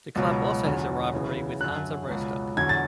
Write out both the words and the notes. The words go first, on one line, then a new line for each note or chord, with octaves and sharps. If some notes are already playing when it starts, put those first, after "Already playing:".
The club also has a rivalry with Hansa Rostock.
C#2 B2 F#3
E2 D3 F#3
D2 C#3 E3
F#2 D3 F#3 F#6
C#2 B2 F#3
E2 D3 F#3 G#6
A6